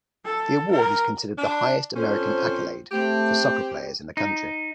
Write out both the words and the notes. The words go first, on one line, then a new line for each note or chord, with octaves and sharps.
The award is considered the highest American accolade for soccer players in the country.
A4
A#4
D4
F2 C#4 A4 C5
A3 C4 G4
D#4